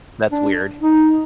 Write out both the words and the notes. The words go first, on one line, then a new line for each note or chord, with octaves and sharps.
That's weird.
D4
D#4